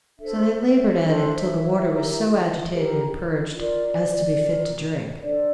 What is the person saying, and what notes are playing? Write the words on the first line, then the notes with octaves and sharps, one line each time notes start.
So they labored at it till the water was so agitated and purged as to be fit to drink.
D4 A4 C5 E5
D4 A4 C5
E4 G4 A#4
E4 G4 A#4
F4 A#4 D5
F4 A#4
D4 A4 C5 D5